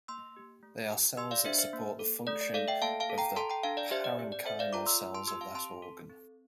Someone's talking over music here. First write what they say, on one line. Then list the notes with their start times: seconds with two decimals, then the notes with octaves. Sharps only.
They are cells that support the function of the parenchymal cells of that organ.
0.08 A#3 C6 E6
0.37 G4
0.63 A3
0.90 G4
1.17 G4 C6 E6
1.31 D5 F5
1.45 D4 C5 E5
1.58 C5 E5
1.73 A#3
1.99 A4
2.27 A3 D5
2.41 D5
2.54 A4 D5 F5
2.68 E5 G5
2.82 A#3 F5 A5
3.00 F5 A5
3.09 A4
3.18 G5 A#5
3.36 A4 A5 C6
3.50 G5 A#5
3.63 D4 F5 A5
3.77 D5 F5
3.91 G4 C5 E5
4.04 D5
4.19 C4 C5
4.32 D5
4.45 A4 C5 E5
4.59 D5 F5
4.73 F4 A#5 D6
4.86 C6 E6
5.01 A3
5.14 A5 C6
5.27 G4 C6 E6
5.41 F5 A5
5.55 C4 A5 C6
5.82 A4
6.10 C4